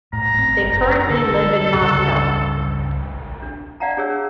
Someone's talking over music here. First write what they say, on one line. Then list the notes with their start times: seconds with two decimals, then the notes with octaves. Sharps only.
They currently live in Moscow.
0.13 A2 A#5
0.35 G1 C4
0.69 F#1
1.10 D3 A4
1.74 C#2 G2 C#3
3.42 D4
3.80 D5 F5 F#5 A5 A#5
3.97 D4 G#4 C#5 E6